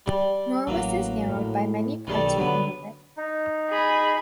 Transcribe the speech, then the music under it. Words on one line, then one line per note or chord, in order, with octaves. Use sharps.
Nor was this narrowed by many partaking of it.
G3
A1 F#3 A#3
A2
B1 D#3 G3 A4
D3 F#3 B3
D#4
G#4 B5